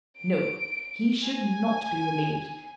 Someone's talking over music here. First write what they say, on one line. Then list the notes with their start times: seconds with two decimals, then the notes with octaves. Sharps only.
No! he should not be relieved.
0.17 D7
1.23 G#5